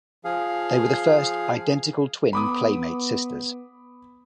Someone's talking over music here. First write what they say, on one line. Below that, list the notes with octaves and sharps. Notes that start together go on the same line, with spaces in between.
They were the first identical twin Playmate sisters.
F3 G#4 F5
B3 B5 D6 D#6